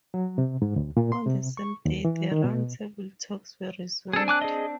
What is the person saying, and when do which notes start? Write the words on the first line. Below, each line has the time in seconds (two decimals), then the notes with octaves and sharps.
On the same day, the round table talks were resumed.
0.14 F#3
0.38 C3
0.62 G#2
0.76 D2
0.97 A#2
1.12 C6
1.26 C3
1.57 C#6
1.85 D#2
2.05 E3
2.32 D#3
2.44 B2
4.13 C4 D4 G#4 A4
4.28 G#5 D6 F#6
4.41 G#4 D#5